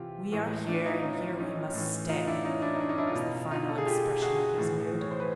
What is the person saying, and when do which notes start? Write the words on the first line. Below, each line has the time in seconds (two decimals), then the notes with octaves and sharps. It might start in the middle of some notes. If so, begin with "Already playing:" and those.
'We are here, and here we must stay,' was the final expression of his mood.
Already playing: C3 E3 F4 G4
0.32 A2 E3
0.67 D4 E4
0.85 D#4 F4
1.02 C#4 D#4
1.38 C#4 D#4
1.74 A2 E3
2.09 D#4 F4
2.27 D4 E4
2.45 C#4 D#4
2.62 D4 E4
2.75 D#4
2.80 D4
2.89 C#4 D#4
2.98 D4 E4
3.07 D#4 F4
3.15 B2
3.51 D#4 F4
3.69 A4
3.78 G#4
3.86 F4 G4
4.22 F#4 G#4
4.58 A2 E3
5.01 C#5
5.11 C5
5.20 B4